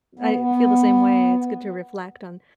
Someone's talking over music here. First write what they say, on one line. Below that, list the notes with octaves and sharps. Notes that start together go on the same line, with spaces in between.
I feel the same way, it's good to reflect on,
B3
B3